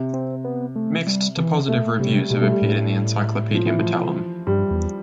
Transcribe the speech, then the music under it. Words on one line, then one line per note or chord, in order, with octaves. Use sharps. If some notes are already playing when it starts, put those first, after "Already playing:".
Mixed to positive reviews have appeared in the Encyclopaedia Metallum.
Already playing: C3
C4
B3
A3
G3
E3
A3
C3 G3
B2 G3
A3
G3
A2
F3
E3
F3
G2 G3
E2